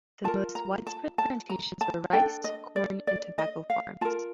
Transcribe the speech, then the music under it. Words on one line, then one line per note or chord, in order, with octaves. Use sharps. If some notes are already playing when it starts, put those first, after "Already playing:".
The most widespread plantations were rice, corn and tobacco farms.
F4 A#4 A5
A#5
A5
A5
A#5
A5
D4 A4 G5
D#5
D5
D5
D#5
F5
F4 A#4 A5